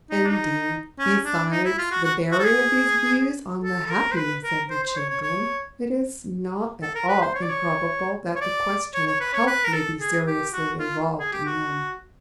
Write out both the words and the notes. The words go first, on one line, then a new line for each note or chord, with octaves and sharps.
Indeed, besides the bearing of these views on the happiness of the children, it is not at all improbable that the question of health may be seriously involved in them.
D#4
D4
D#4
C#4
D4
D#4
E4
F4
F#4
F#4
F#4
A4
G#4
A4
A4
A#4
C5
B4
A#4
C5
C5
C#5
C#5
C#5
A4
A#4
B4
C5
C#5
D5
C#5
C#5
D5
C#5
C#5
B4
C#5
B4
A#4
A4
G#4
G4
F#4
F4
G#4
G4
F#4